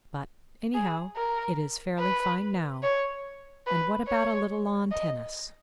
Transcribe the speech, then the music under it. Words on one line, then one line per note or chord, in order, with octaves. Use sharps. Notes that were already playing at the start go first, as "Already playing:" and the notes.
But, anyhow, it is fairly fine now, and what about a little lawn tennis?
G#4
A#4
B4
C#5
B4
C#5
D#5